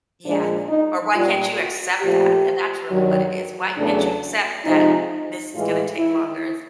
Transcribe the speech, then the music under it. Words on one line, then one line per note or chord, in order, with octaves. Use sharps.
Yeah. Or, "Why can't you accept that?" And that's really what it is. "Why can't you accept that this is gonna take longer
A#2 F3 G#3 D4
D#4
A#2 G3 F4
F#4
A#2 F3 A3 G4
G2 D#3 F#3
E2 C#3 F#3 A3 D4
C3 F3 G#3 D#4
A2 E3 G#3 F4
E4